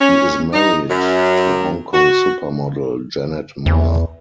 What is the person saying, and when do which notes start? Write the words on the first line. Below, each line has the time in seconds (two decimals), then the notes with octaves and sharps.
He is married to Hong Kong supermodel Janet Ma.
0.01 C#4
0.53 D#4
0.90 F#2
1.94 F#4
3.66 E2